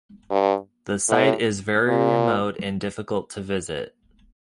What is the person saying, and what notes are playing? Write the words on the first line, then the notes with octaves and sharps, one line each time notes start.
The site is very remote and difficult to visit.
G2
A2
A#2